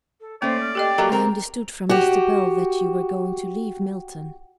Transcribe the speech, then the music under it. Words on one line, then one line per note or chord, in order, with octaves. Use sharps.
I understood from Mr. Bell that you were going to leave Milton.
A4
A3 A#3 C#4 C5 D5
F6
G4 A4 D#5 G5
F#3 G3 A#3 G4 A4 D#5
C4 A#4
F#4 G4